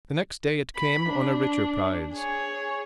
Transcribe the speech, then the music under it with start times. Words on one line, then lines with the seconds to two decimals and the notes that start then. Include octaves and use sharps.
The next day it came on a richer prize.
0.76 B5
1.09 D4
2.14 G#4 C#5